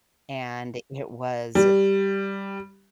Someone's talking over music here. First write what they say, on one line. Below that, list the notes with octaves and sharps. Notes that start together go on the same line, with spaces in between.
and it was
G3